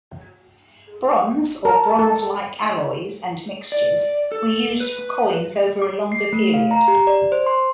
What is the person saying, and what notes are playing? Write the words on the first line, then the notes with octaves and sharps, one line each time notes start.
Bronze, or bronze-like alloys and mixtures, were used for coins over a longer period.
A#4 A5
A4
D5
A4
B4
D6
C7
A3
F5
A#5
G4
D5
C5
C6